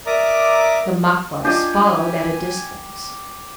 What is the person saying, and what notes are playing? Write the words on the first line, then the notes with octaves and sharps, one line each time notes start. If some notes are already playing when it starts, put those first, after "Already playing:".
The Maquas followed at a distance.
A#4 D5 E5 A#5 D6 D#6
D4 F4 G4 D#5 G#5